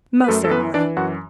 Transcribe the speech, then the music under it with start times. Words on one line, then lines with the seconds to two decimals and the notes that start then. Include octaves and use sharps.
"Most certainly."
0.24 B4
0.28 F#2 A3 A4
0.45 A4
0.51 E3 B3 B4
0.74 E3 D4 D5
0.97 F#2 F#4 F#5